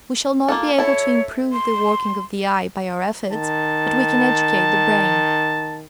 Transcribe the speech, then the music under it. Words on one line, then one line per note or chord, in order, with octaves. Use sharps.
We shall not be able to improve the working of the eye by our efforts, but we can educate the brain.
A#3 F4 A4
E4 A4 C#5
C6
D#3 A5